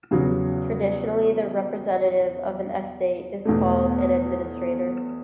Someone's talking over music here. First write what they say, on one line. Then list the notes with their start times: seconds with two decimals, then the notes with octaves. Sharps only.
Traditionally, the representative of an estate is called an "administrator".
0.11 E2 C#3 F#3
3.45 E2 B2 A3